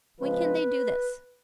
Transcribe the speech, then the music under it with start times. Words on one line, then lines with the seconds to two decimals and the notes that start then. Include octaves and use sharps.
When can they do this?'
0.20 C#3 F3 G#3 C4 B4